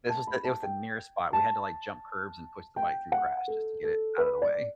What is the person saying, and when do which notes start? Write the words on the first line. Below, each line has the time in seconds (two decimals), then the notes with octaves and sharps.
This was the it was the nearest spot, we had to like jump curbs and push the bike through grass just to get it out of the way.
0.09 A5
0.27 B5
0.44 A5
0.63 G5
1.33 A5
2.76 G5
3.12 F#5
3.48 A4
3.83 A4
4.18 B4
4.42 D5